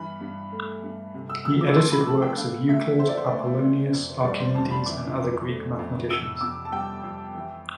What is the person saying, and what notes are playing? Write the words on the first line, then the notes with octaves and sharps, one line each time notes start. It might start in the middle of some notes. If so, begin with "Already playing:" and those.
He edited works of Euclid, Apollonius, Archimedes, and other Greek mathematicians.
Already playing: G2 E3 B5
G2
A3
G2
C3
E6
D2 E6
D6
F3 C6
B5
A3 A5
G5
D3 F5
D2 E5
A3 C5
D5
C5
D2
C3
F2
G3 D5
C5
F2 A5
B5
E3 D6
F2
A3
F2
C3 E6
F2 D6
A5
G3 G5
F2
E3